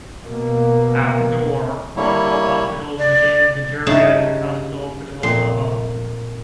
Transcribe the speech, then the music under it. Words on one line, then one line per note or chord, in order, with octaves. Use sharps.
After the war Cornwall Hospital became the geriatric hospital for the whole of Auckland.
B2 A#3
G3 A#3 E4 C#5
D5
G2 C#3 D#4 E4 A5
F2 A#2 C6